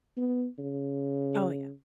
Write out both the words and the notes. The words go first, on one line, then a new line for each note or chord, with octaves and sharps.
Oh, yeah.
B3
C#3